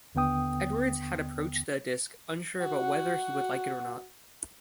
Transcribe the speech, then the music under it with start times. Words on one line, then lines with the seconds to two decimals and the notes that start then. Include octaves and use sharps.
Edwards had approached the disc unsure about whether he would like it or not.
0.15 D#2 D3 B3 G5 D#6
2.61 F#4 F#5